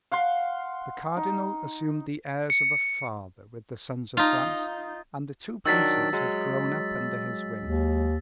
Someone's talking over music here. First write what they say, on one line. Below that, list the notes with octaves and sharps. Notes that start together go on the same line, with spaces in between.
The cardinal assumed the airs of a father with the sons of France, and the two princes had grown up under his wing.
F5 F#5 C6
D#4
C#7
D#4 F4
D#3 F#3 D4 E6 A6 B6
F#3 G#3
D#2